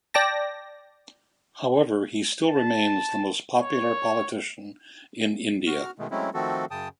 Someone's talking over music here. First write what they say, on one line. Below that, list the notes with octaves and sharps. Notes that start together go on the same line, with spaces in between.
However he still remains the most popular politician in India.
D5 G5 A5 A#6
A5
C#5
F#4 F6
B2 D#3 G#3 A3
F#3 G#3 A3 C4 C#4 E4
D#3 F3 A3 C4 F#4 A4
F#2 C#3 G5 A5 D#6